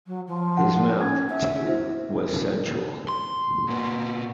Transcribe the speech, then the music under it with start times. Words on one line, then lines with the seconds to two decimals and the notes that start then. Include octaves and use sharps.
His mouth, too, was sensual.
0.07 F#3
0.27 F3
0.57 F#5
1.01 C#4 G#6
1.30 E5
1.66 E4 F#4 C5
3.08 C6
3.68 A#2 B3